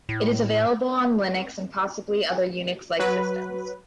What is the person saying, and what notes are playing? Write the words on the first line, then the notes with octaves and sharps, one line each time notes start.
It is available on Linux, and possibly other Unix-like systems.
A2
F#3 B4